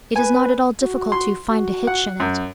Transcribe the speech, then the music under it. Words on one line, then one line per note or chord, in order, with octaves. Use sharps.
It is not at all difficult to "find a hitch" in it.
B4 G#5
F#4
C6
F#4
F#5
F#2